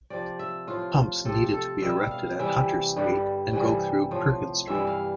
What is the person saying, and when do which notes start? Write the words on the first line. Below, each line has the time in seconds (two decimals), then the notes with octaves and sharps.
Pumps needed to be erected at Hunter Street and go through Perkin Street.
0.10 C3 F3 D5
0.39 E5
0.67 A2 F3 F4
1.25 C3 F3 A4
1.53 A4
1.81 B2 G3 E5
2.11 F5
2.39 C3 E3 G3 E5
2.96 G2 D3 G3
3.53 C3 E3 G3
4.11 A2 F3
4.68 G2 E3 G3 E5
4.87 F5